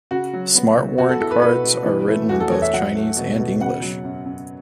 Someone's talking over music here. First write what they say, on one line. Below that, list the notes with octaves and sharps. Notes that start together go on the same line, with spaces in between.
Smart warrant cards are written in both Chinese and English.
C#3 F#4
F#3
B3
C#2
B3 F#4
A4
E4 A4
B4
B2 B4
B2
E3
A3
E2 F#4
A4
E2 C#5
E5
F#3 F#5
A3
B2
B2
C#3 F#5
F#3
F#2
F#2